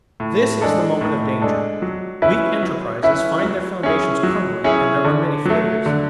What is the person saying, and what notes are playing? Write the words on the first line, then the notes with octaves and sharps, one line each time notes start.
This is the moment of danger; weak enterprises find their foundations crumbling, and there are many failures.
A2
G#3 D4 A4
A2
G#3 D4 A4
F#3
C#4 E4 B4 E5
F#3
C#4 E4 B4 E5
F#3
C#4 E4 G#4
F#3
C#4 E4 G#4
D3
F#3 A3
D3